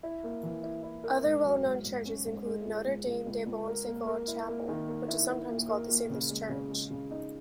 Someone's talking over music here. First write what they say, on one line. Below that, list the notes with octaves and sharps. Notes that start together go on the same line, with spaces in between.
Other well-known churches include Notre-Dame-de-Bon-Secours Chapel, which is sometimes called the Sailors' Church.
E4
A#3
E3
E4
E4
A#4
G#2
F#3
G#2
G#2
C#4
G#2
G#3
C#2
C#2
C#2
C#2
C#2
A#4
A#3
A#4
E4
A#3
D#3
A#3
E4
E4
A#2
A#4
A#2
C#3
G#3
C#3
G#3
C#3
D#4